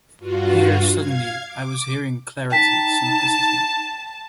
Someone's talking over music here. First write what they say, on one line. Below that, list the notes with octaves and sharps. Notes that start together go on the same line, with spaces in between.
Here, suddenly, I was hearing clarity, simplicity.
G2 F4 F#4
F5 G#6
D6
D#4 G5 A5 B6